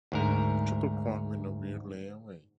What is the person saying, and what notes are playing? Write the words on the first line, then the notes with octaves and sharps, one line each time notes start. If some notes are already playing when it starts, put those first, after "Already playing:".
Triple Crown winner Whirlaway.
D2 G#2 A#4